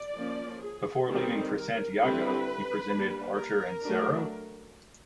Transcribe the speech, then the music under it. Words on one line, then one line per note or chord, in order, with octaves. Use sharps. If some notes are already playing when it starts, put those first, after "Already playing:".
Before leaving for Santiago, he presented Acher en serio?
Already playing: D5
F3 A#3 C#4
G#4
D#3 G3 C4 D#4 A4
A#4
D3 G3 C4 E4 B4
G3 A#3 D4
A#4
F#3 A3 D4